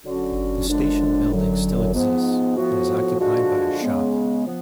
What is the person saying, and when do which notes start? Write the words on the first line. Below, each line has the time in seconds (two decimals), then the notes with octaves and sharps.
The station building still exists, and is occupied by a shop.
0.03 D3 F#3 C#4 F#4
0.67 F#2 D3 F3 G#3 D4
1.30 F#2 D3 F#3
1.93 G#2 F3 B3
2.56 A2 F3 B3 F#4
3.19 D3 F3 G#3 D4 F#4
3.82 C#3 G#3 B3
4.46 F3 B3